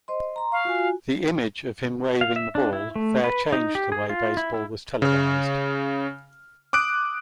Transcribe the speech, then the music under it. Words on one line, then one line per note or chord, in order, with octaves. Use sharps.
The image of him waving the ball fair changed the way baseball was televised.
C5 D#5 C6
A#5 C6
F5 C#6
F4 F#4 G#5
F5
E5
D4
E4
A3
B4
D#4
G4
G#4
F4
E4
E4
C#3 F6
D6 D#6 F#6 D7